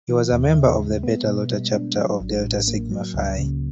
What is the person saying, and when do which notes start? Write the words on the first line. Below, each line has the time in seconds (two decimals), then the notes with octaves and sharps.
He was a member of the Beta Iota chapter of Delta Sigma Phi.
0.09 E3
0.32 D#2
0.56 C#3
0.79 G#3
1.03 B3
1.27 B2
1.50 G3
1.74 D4
1.97 F#3
2.20 A1
2.45 A2
2.68 A#3
2.91 F#3
3.14 C#2
3.38 C#3